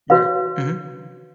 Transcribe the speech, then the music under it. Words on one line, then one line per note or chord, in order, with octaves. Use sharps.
Right, mhm.
F#4 B4 C#5 F5